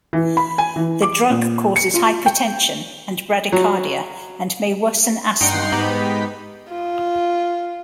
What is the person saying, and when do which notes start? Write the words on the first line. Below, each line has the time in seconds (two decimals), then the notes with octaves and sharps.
The drug causes hypotension and bradycardia and may worsen asthma.
0.13 E3
0.37 B5
0.58 G#5
0.76 E3
1.02 D6
1.30 A#2
1.76 C#7
1.94 F4
2.26 G5
3.52 F#3
5.41 G2 D#4 F#5 G5 C6 C7
5.72 G#2 B3 D#4 G4 B5
6.69 F4